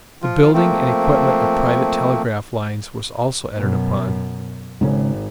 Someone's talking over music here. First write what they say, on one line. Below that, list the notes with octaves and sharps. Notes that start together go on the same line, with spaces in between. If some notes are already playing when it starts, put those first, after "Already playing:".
The building and equipment of private telegraph lines was also entered upon.
F3 F4
F3 A3 A#3 C4
F#2 B2
G#1 G#2 C#3 C#4